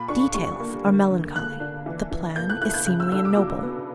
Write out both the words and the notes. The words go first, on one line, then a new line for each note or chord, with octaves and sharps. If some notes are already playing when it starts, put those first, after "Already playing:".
Details are melancholy; the plan is seemly and noble.
Already playing: A#2 B5
D4 C#6
G3 C#6
A#3
D3
D3
A#3 F#6
D4
E3
E3
A#3 G6
F#6
E4 F#6
G6
C#3 F#6
E6
D4 E6
D6
F#3
B3